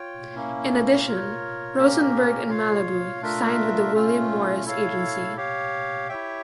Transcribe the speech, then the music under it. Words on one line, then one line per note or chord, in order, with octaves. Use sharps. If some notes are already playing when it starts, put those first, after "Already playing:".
In addition, Rosenberg and Malibu signed with the William Morris Agency.
Already playing: F4 C#5 G5
A#3 C#4 E4
F4 A#4 C#5
A#3 C#4 G4 A#4
F4 C#5 F5
A3 D4 F4 A#4 E5
A3 C#4 F4
E4 A4 C#5 F5
G4 C#5 F5
E4 G4 C#5 E5 G5